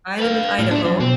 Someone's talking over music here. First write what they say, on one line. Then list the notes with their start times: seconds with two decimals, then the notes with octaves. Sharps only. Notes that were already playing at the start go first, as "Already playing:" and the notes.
I live in Idaho,
0.19 B4 F5
0.59 A2 F3 G#3
0.71 A#2 A3 D4
0.85 F#2 F3
1.00 B2 C4